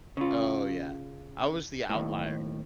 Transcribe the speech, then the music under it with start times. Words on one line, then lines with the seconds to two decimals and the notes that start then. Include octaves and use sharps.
Oh, yeah, I was the outlier.
0.17 C#3 F4
1.90 D#2 A2